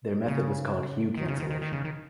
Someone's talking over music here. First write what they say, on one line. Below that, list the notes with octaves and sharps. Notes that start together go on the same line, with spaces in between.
Their method was called "hue cancellation".
C#3
D#3
C#3
D#3
D#3
D#3
C#3
D#3